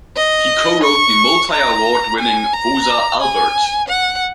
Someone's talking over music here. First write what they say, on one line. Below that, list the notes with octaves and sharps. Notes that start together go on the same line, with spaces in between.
He co-wrote the multi-award winning Woza Albert!
D#5
C#6
A#5
G#5
A#5
G#5
F#5